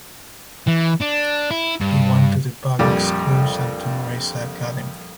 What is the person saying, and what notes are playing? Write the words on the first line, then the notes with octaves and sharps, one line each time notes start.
He went to the public schools and to Marissa Academy.
E3
D4
E4
G2
A#1 F2 G3 D6